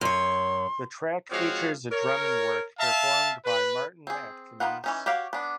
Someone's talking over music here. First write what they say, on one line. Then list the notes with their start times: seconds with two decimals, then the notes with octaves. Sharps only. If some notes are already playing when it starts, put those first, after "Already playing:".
The track features a drumming work performed by Martin Atkins.
0.01 F#2 C#5 C6
1.31 F3 G#3 C4 F#4 C#5 F5
1.92 A#4 C#5
2.79 E5 F5 A5
3.45 B4
4.07 C4 G#4
4.60 D#3 E3 B3 F4 F#5
4.84 E3 C#4 D#4
5.06 F#4 G4 C#5 F5
5.33 B3 D4